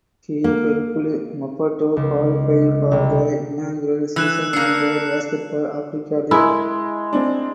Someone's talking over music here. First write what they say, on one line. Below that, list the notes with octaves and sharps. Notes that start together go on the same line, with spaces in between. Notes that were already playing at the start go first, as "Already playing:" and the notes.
He helped Maputo qualify for the inaugural season of the Basketball Africa League.
A#3
C#2
C2
E3 E6 F#6 E7
A#3 D4 E6 C7 C#7
G#3 E4 A#4
C4 D4